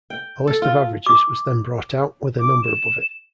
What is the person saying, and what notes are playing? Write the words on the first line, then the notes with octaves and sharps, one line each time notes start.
A list of averages was then brought out, with a number above it.
G5
A4
F4
D6
D6
E7